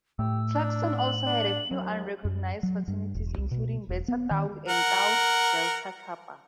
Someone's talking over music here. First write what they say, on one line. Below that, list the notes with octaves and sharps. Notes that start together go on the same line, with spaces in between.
Clarkson also has a few unrecognized fraternities including Beta Tau and Tau Delta Kappa.
A2 A3 G4 E6
D4
F#7
D4
D#2 F#3
F#2
F#3
G2
E1
C2
B2
E1
B3
D#3
A#4 F#5